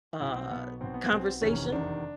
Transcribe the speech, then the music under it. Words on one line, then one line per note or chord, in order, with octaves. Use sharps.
uh, conversation,
B1 B2 E4
C4
B1 B2 B3
B1 B2 C4
B3
C4
B1 B2
F1 E2 C3 D#3 C#4
F1 E2 C3 D#3 D4